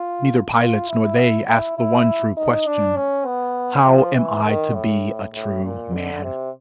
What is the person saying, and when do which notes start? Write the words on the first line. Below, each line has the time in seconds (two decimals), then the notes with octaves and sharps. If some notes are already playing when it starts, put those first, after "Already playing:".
Neither Pilate nor they ask the one true question, 'How am I to be a true man?
Already playing: F4
0.59 F4
0.89 E4
1.48 E4
1.77 E4
2.37 D#4
2.67 D4
2.96 C#4
3.26 B3
3.85 F3
4.15 E3
4.45 D#3
4.74 A2
5.34 A2
5.64 A#2
5.93 D3
6.23 C3